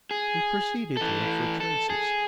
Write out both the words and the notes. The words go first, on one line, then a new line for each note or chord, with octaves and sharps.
We proceeded to look for traces.
G#4
E3 A4
A4
G#4